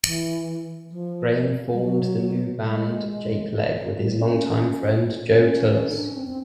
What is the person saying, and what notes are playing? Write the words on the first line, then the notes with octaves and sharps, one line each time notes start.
Graham formed the new band Jakeleg with his long-time friend Joe Tullos.
E3
F3
G3
F#3
G#3
G3
C#4
C#4
D#4
D4
C#4
C4
C4